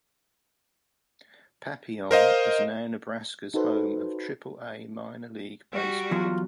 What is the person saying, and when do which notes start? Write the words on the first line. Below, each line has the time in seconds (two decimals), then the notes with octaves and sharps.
Papillion is now Nebraska's home of Triple-A minor league baseball.
2.11 A#4 C5 D#5 F5
3.54 D#4 F#4 A4 B4 C5
5.72 G3 F#4
6.11 E2 F#3 F4